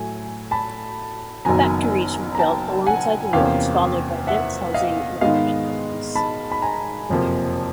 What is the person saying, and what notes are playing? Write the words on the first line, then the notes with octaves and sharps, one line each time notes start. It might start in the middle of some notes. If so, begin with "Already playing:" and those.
Factories were built alongside the roads, followed by dense housing and apartment buildings.
Already playing: A2 F#3 A3 G#5
A5 B5
F#1 F#2 D#3 F#3 B3 G#5 A#5
A#5
G5 A5
F#5 G#5
E2 C3 F3 A#3 C#4 F5 G5
E5 F#5
D#5 F5
G#2 D#3 G#3 B3 D#5 F5
A5 B5
B5
G#5 A#5
F#1 F2 C3 F3 A#3